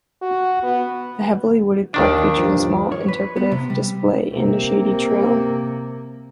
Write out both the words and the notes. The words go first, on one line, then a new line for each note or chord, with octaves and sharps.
The heavily wooded park features a small interpretive display and a shady trail.
F#4
B3
D#2 D#3 D4
G2 F3
C#5
B4
B3
C3
G3
C3 A#3